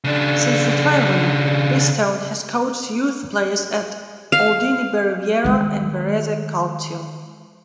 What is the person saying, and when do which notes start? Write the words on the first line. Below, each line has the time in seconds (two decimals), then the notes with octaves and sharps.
Since retiring, Pistone has coached youth players at Aldini Bariviera and Varese Calcio.
0.04 C#3 D4
4.32 F5
5.44 D#3 G#3